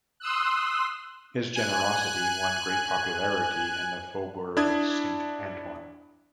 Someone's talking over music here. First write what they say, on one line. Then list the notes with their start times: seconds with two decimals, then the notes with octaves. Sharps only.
His generosity won great popularity in the Faubourg Saint Antoine.
0.20 C6 D#6 E6 F#6
1.56 G#5 F#6
4.57 D4 E4 D#6 G#6